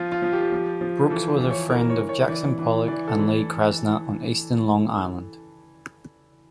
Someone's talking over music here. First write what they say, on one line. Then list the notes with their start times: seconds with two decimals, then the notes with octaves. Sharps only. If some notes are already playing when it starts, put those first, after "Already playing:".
Brooks was a friend of Jackson Pollock and Lee Krasner on Eastern Long Island.
Already playing: F3 F4
0.12 F4
0.22 F3
0.32 G4
0.52 F3
0.81 F3
1.10 E3 A4
1.41 E3
1.50 C#5
1.69 E3 A#4
1.90 C#5
2.00 E3
2.09 C#5
2.29 E3 D5
2.59 E3
2.88 E3 D5
3.08 A4
3.18 E3